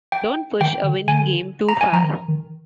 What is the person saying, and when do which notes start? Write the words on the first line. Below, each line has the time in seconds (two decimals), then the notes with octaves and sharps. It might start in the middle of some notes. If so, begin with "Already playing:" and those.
Don't push a winning game too far.
0.12 G5
0.61 D#3 G5
0.84 D3
1.07 D3 G#5
1.69 A#5
1.81 G#5
1.92 F3 A#5
2.04 D#3
2.28 D#3